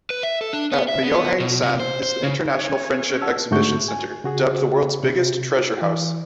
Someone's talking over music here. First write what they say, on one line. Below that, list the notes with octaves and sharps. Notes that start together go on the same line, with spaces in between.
At Myohyang-san is the International Friendship Exhibition centre, dubbed the world's biggest treasure-house.
B4
E5
A4
D4
B3
E5
B3
B2
C3
C5
C5
C#3
C#5 G#5
C#4
F#5 A5 E6
G#2 D3 A3 F#4 C#6 G6
G#5
C#3 F#4 G#4
C3
E3